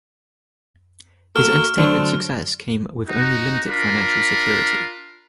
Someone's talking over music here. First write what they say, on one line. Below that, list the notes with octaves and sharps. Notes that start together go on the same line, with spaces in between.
His entertainment success came with only limited financial security.
A#3 F#4 A4 F6
D3 F#3 A3 C4 D4
D#4 F#4
D4 F4 A#4 B5